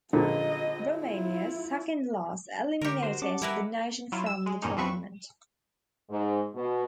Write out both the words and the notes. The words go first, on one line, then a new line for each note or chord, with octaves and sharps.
Romania's second loss eliminated the nation from the tournament.
A#1 A#2 D3 F4 D#5
E4 F4
D3 G4 A#4
F#4 C5
C#4 F#5 A5 D6
G3 E4 A#4 B4
F#3 E4 F4
E6
G#3
E2 G2 A#2 A#3 C#4 D#4
E2 F3 C4 B4 C#6
G#2
B2